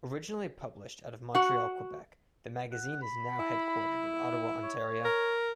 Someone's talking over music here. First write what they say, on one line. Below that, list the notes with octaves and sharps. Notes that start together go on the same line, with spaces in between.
Originally published out of Montreal, Quebec, the magazine is now headquartered in Ottawa, Ontario.
F#4 F#5
F#5
B5
E4
C#5
A#4